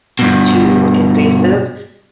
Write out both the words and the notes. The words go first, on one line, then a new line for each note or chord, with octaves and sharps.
too invasive,
G2 B2